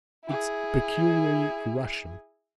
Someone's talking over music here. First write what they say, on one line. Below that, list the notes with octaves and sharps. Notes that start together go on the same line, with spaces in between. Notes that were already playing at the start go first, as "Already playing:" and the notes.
It's peculiarly Russian.
E4 G#4